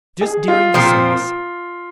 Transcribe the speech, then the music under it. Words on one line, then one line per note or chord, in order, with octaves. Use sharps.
Just during the service.
G#4
F4
A#2 F3 C4 F4